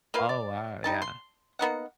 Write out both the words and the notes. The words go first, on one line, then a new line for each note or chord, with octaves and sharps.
Oh, wow, yeah.
A#3 F4 B4 F5
D5
G3 D#4 A5
C6
A#3 B3 D#4 F#5